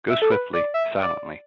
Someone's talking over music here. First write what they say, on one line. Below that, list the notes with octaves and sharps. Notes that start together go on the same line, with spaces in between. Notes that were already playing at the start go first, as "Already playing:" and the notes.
Go swiftly, silently.
E5
A4
B4
D5
E5
D5